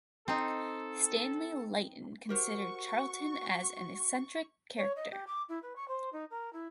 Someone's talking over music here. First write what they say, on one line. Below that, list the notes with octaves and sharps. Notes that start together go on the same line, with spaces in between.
Stanley Leighton considered Charlton an "eccentric character".
C4 D#4 A4
F#4 G4 A#4 C5 C#6
C#5
D#5
G4
D6
E4
B4
C#6
C5
D#4
A#4
E4